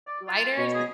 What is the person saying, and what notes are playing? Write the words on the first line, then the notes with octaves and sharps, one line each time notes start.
lighters and
D5
F4
B2 C#5
G#4